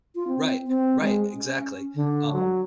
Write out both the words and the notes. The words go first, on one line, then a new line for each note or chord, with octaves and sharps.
Right, right, exactly, um
F4
C4
C4
G#3
C#4
D3
F#3